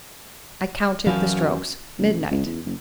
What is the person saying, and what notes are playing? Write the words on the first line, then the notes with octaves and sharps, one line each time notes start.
I counted the strokes--midnight!
F#2 E3 F#3 C#4 F5
F#1
A1
C#2
E2
F#1